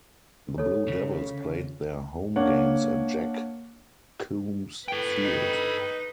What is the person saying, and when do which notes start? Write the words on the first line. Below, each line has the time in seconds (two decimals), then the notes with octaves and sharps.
The Blue Devils played their home games at Jack Coombs Field.
0.58 A4 C#5
0.88 C#3
2.36 A#3 D4 C#5 F#5
4.88 A4 B4 G5
5.24 D#4